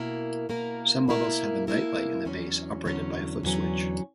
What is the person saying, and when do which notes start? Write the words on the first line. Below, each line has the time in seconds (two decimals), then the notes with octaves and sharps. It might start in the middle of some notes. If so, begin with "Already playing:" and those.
Some models have a night light in the base operated by a foot switch.
Already playing: B2 A#3 E4 A#4
0.49 B2 A#3 E4 A#4
1.08 B2 A#3 E4 A#4
1.67 B2 A#3 E4 A#4
2.25 E2 D3 F#3 C#4
2.85 E2 D3 F#3 C#4
3.43 E2 D3 F#3 C#4